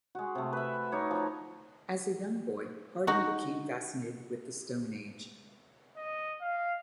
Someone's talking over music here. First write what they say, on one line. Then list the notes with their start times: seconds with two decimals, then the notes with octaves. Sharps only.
As a young boy, Harding became fascinated with the Stone Age.
0.15 G#3 F#4
0.35 C3 A3
0.53 B4 E5
0.92 D#4 C#5 D6
1.11 F3 D#4
3.07 D#4 F#4
5.97 D#5
6.41 F5